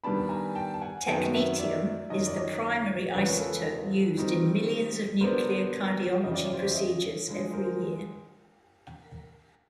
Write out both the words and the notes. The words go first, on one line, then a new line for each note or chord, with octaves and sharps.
Technetium is the primary isotope used in millions of nuclear cardiology procedures every year.
D#3 G3 B3 D4 A5 B5
G#5 A#5
G5 A5
A5
F#5 G#5
F#2 D#3 F#3 B3 G5 A5
E5 F#5
D5 E5
F#2 D#3 F#3 C#5 D#5
D5
C#5 D#5
E2 C#3 F3 G#3 C#4 B4 C#5
A#4
A4 B4
D#3 G3 C4 D#4
D3 F#3 B3 D4 A#4 C5
F2 C#3 E3 D#5
D5
C#5
C5 D5
E5
C#5 D#5
D3 F3 G#3
A#4 C5